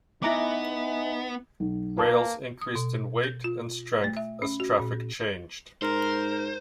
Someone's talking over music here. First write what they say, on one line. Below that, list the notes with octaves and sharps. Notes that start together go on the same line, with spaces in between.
Rails increased in weight and strength as traffic changed.
B3 D#4 E4 D#5 E5 G#5 A#5 D6
B1
A#3 B4 A5
D#6
B2
G6
F4
A3
E5
C#4
F#4
A#2
G#2 A#4 C5